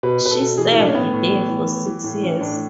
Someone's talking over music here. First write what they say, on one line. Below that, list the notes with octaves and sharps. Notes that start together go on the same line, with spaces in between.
She served there for six years.
B2 B4
B2 B4
A4
B2
E3 G#4
E4
A2 D4
C#4
A2 B3
A2
E3
A2
E3
E3
A2
E3 C#4
A2 D4